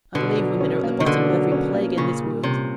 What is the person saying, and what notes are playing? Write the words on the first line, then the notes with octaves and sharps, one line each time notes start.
I believe women are at the bottom of every plague in this world.
B2 D3
F#3
C#4
A#3
D#3
B2 D3
F#3
C#4
A#3
A#2 C#3
G3
C3 C#4